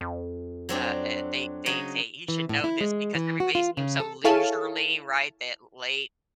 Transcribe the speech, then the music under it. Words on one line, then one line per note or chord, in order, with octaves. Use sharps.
uh, er, they they they, usually know this because everybody seems so leisurely, right, that late
F2
F#3 C4 D4
C#3 F#3 D#5
E3
A2
E4
G#3
E3
F#4
F4
C#3
A4
E4 G#4 A4 C#5 F5 A5